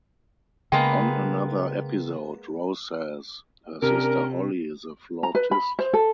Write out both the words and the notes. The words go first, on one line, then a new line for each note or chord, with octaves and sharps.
On another episode, Rose says her sister Holly is a flautist.
C#3 G#3 A#3 B3 G5
C3 C#4 D4 A#4
A#5
B4
B5
C5
A4